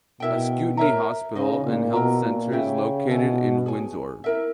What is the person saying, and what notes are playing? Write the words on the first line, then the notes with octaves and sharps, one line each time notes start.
Ascutney Hospital and Health Center is located in Windsor.
B2 E4 A#4 E5 G5
A#4 C#5 E5 A#5
C#3 D#4 G#4 D#5
A#2
B2 E4 A#4 E5 A#5
A#2
C#3 G4 C#5 E5 G5
B2 A#4 C#5 E5 G#5
G#4 C#5 G#5
E4 A#4 E5